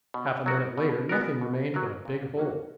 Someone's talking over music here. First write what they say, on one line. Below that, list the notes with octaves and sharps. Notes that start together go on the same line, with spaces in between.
Half a minute later nothing remained but a big hole.
B2
F#3 B3 F#4 A#4
B2
F#3 B3 F#4 A#4
B2
F#3 B3 F#4 A#4
A#2
F#3 A#3 C#4 F#4